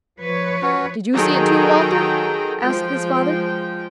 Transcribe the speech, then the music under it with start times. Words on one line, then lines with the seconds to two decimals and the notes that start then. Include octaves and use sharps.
"Did you see it, too, Walter?" asked his father.
0.21 F3 B4 C#5
0.62 C#4 F#4
1.13 D#3 F#3 G#4 A4 G5 A#5
2.62 F3 G#3 G5